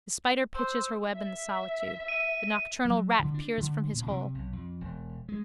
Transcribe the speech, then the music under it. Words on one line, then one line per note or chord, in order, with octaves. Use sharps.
The spider pitches her web in the solitude. The nocturnal rat peers from his hole.
C5 E6
E5
D#7
F#3
D3
D4
D3
A#2
C3
B1
F2
E1
G#3